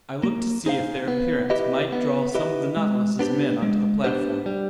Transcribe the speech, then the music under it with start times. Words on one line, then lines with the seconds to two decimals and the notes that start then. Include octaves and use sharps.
I looked to see if their appearance might draw some of the Nautilus's men onto the platform.
0.23 A#3
0.66 D#4 G#4 C5 F5
1.08 B3
1.50 E4 G4 B4 D#5
1.92 B3
2.35 E4 G4 B4 D#5
2.77 G#3
3.19 B3 D4 G4 C5
3.62 G#3
4.04 B3 D4 G4 C5
4.46 G3